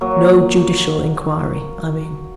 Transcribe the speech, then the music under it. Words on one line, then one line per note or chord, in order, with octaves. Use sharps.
No judicial inquiry, I mean.'
F#3 A#3